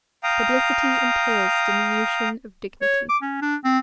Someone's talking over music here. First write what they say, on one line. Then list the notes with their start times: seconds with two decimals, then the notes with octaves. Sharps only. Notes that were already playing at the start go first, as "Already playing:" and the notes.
Publicity entails diminution of dignity.
0.23 F5 G5 A#5 D#6
2.81 C#5
3.09 D6
3.22 C#4
3.42 D4
3.65 C4